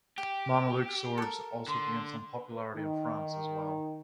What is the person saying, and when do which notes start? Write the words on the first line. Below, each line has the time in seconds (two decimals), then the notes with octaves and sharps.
Mameluke swords also gained some popularity in France as well.
0.18 G4 G5
1.18 A4 A#4
1.68 D3 C6
2.34 B4
2.75 D#3